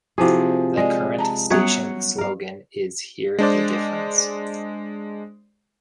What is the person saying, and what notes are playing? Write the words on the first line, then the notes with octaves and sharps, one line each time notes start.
The current station slogan is "Hear the Difference".
C3 F3 E4 F#4 G#4
G#3 D5
A5 A#5
F#3 G3 B3 C#4 C#5 F#5
A#4 F5
G#3 D4 C5 D5